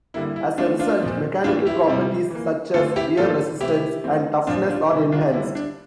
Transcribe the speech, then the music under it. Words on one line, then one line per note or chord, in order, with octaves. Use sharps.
As a result, mechanical properties such as wear resistance and toughness are enhanced.
D3 G3 A#3 E4
E4
E3 A3 C4 D4 F4
D4 F4
A#2 F3 C4
A2 E3 A#3 D4 F4
E4 G4
C3 G3 C4
E3 A#3
D3 A3 C4 F4 A4
E4 G4
A2 F3 A#3 F4 A4
C3 E3 A3 C4 E4 G4
E3 A3 C4
A#2 F3 C4 D4 F4
D4 F4
C3 E3 G3 E4
D4 F4
D3 G3 C4 E4
D4